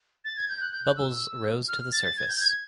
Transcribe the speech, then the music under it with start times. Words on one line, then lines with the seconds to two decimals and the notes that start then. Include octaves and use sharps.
Bubbles rose to the surface.
0.25 A6
0.37 G#6
0.49 G6
0.61 F#6
0.72 G6
0.84 F#6
0.96 E6
1.68 F6
1.92 A6
2.05 A6
2.17 G#6
2.28 G6
2.40 G#6